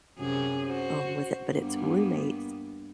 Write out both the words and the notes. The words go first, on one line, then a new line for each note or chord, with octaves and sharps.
um, with it, but it's roommates
F#2 C3 G#4
F#4 C5
G2 A#3 B3